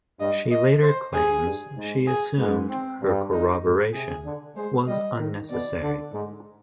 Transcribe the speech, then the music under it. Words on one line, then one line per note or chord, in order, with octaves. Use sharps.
She later claims she assumed her corroboration was unnecessary.
G2 D#5
D#5
C5
G2 G#4
G2
G#2
G#4
G#2 B3
C4
G2
D#4
G#2
C3 G#4
D3
G#3 C5
G3 D#5
D#3
B2 D5
D3
G#2